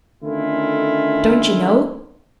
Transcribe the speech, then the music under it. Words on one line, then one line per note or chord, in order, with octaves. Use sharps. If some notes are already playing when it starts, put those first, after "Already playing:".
Don't you know?
D3 D#3 A3 C#4 E4 F4